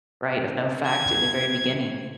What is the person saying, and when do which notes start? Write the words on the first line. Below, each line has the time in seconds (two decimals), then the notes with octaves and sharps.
right, of no fact in the very beginning,
0.85 G#6